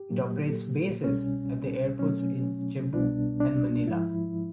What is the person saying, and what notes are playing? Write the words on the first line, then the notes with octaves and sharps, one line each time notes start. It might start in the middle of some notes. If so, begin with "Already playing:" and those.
It operates bases at the airports in Cebu and Manila.
Already playing: G4
A#2 F#3 A#3
C2 B2 G3 C#4
B2 F#3 A3 C#4
C2 B2 G3 B3 D4
D4
G#2 F3 G#3 E4